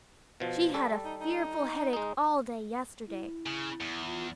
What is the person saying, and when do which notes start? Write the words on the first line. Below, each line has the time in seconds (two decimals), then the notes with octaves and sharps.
She had a fearful headache all day yesterday.
0.40 B2 F3
0.74 G3 A4
1.05 D#4
1.20 D#4
1.93 G#3 D#4
3.08 E4
3.46 C#3
3.81 E2
4.06 F4